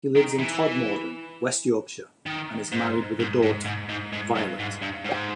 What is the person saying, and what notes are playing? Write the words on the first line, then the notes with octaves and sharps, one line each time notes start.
He lives in Todmorden, West Yorkshire and is married with a daughter, Violet.
D#3
E3
D#3
G#2
G#2
G#2
G#2
G#2
G#2
G2
G#2
G2
G#2